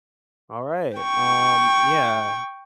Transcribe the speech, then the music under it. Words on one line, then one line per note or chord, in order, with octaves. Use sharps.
Alright, um, yeah.
G5 C#6